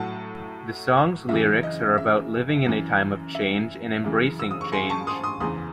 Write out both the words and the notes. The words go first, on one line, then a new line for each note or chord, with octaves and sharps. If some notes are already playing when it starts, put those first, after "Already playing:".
The song's lyrics are about living in a time of change and embracing change.
Already playing: A2 F#3 F#5 A5
F#2 C#3 E3 E5
D#5
E5
F#2 E3
E5
F#2 C#3 E3
E6
D#6
C#6
G#5 C6
A5 C#6
C6 D#6
C6 D#6
E2 C#3 E3 C6 D#6